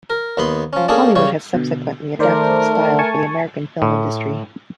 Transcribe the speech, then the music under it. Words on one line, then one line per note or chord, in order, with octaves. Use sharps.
Hollywood has subsequently adapted the style for the American film industry.
A#4
D#2 B3 B5 C6
F3 C#4
A#3 C#4 D4 G#4 A4
C#3 G3 C#5 C#6
B2 D3
D#3 A3 A#4 C5 D5
G#5 A5 C#6
A2